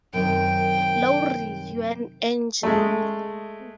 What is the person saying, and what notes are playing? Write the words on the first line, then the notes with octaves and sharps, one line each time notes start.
Laurie, you're an angel!
F#2 C3 D#3 G5
G#3 A3